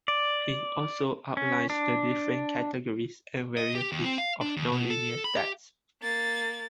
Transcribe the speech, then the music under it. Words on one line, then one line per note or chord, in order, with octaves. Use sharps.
He also outlines the different categories and varieties of nonlinear texts.
D5
C#4
D4
D#5
G4
D#2
C4
F5
D4
D#2
B2
A4
B5
G4
A#3 A6